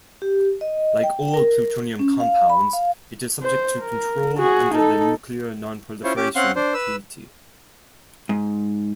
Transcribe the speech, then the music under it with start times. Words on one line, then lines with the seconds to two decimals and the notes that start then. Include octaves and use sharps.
Like all plutonium compounds, it is subject to control under the Nuclear Non-Proliferation Treaty.
0.22 G4
0.61 D#5
1.03 G5
1.34 A#4
1.99 C#4
2.20 F5
2.50 B5
2.73 F5
3.43 C5
3.81 A#4
4.38 F#4 G#4
4.74 D#4 A4
6.04 C#4 E4 F4 C5 C#5
6.17 C#4 G4 D6
6.35 C4 C#4 F5 F#5 C6 F#6
6.56 D4 C5
6.74 B4 E6
8.29 G#2